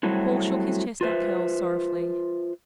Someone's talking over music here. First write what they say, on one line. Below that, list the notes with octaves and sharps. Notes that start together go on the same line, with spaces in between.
Paul shook his chestnut curls sorrowfully.
F#3 G3 A3 C4 E4 F#4
F4 B4 C5 E5